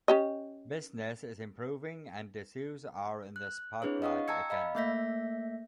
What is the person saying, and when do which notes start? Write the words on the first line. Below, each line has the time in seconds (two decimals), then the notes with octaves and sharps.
Business is improving and Dessous are in the spotlight again.
0.08 C#4 G4 D#5
3.36 F#6
3.82 C4 D4 E4 G#4 B4 C#5
4.02 D#5 F5 F#5 C#6 D#6
4.28 G5 A5 A#5 E6 G#6 C#7
4.50 D#5 F5 B5
4.75 A3 A#3 E5 G6 A#6 B6